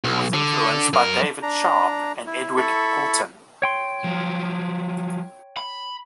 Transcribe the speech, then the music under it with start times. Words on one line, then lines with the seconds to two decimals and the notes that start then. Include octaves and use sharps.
He was influenced by David Sharp and Edward Poulton.
0.04 B1
0.34 D3
0.93 F#2 A#4
1.43 D4 A#5
2.27 E4
2.57 E4 A4 B5 C#6
3.62 C#5 G5 C6
4.04 F3 F#3
5.57 B5